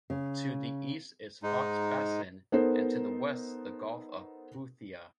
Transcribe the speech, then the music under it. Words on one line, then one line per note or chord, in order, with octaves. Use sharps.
To the east is Foxe Basin and to the west the Gulf of Boothia.
C#3
G#2 G#3 D#4
B3 D#4 A4 A#4 C5